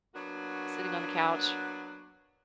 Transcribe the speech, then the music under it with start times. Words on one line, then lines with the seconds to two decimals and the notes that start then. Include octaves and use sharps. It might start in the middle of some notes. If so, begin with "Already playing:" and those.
sitting on the couch,
0.14 F#3 A#3 B3 D4 F#4